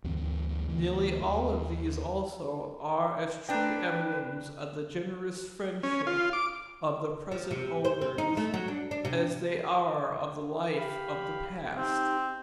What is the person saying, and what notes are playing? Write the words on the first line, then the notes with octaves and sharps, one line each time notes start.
Nearly all of these also are as true emblems of the generous friendship of the present owners as they are of the life of the past.
D2 G2 E3 C4
D2 E3
D#2
C4 D4 B4 G5 A#5
C#4
F4
D6
F3
C3
C5
C4
D#4
A3
F#3
D4
D4
C3
G4 F5 B5
C4 D#4 G4